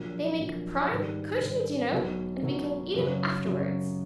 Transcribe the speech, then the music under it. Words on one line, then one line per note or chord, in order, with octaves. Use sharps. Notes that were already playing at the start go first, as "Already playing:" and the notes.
"They make prime cushions, you know, and we can eat 'em afterwards."
Already playing: A#1 A#2 F#3
A#1 A#2 F#3
G#2 D#3 G3
G#2 D#3 G3
B1 B2 F#3
B1 B2 F#3
F#2 C#3 F#3
F#2 C#3 F#3